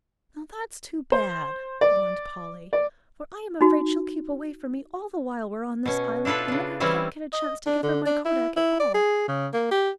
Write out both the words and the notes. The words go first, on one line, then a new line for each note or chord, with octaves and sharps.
"Now that's too bad," mourned Polly, "for I'm afraid she'll keep away from me all the while we're on this island, and then I can't get a chance to give her my kodak at all."
C5
D5
D5
D#4 F#4
B2 C#4
D4 E4 F4 A4 B4
C#3 D4
E3 G3 C4 C#4 E4
D#5
D4
D3
D4
E4
E4
D5
G#4
C#3
A#3
G4